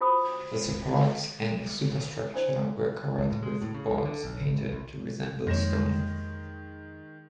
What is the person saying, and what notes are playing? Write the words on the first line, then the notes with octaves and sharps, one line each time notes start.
The supports and superstructure were covered with boards painted to resemble stone.
F4 F#4 C5 G5 B5 D#6
D4 E4 C5 D5 G5
C#2
A2
G#3
A2
C#3
C#2
D3
B1
G#1
D1
C2
F2 D#3 G#3 A#3 C#5 A#6 E7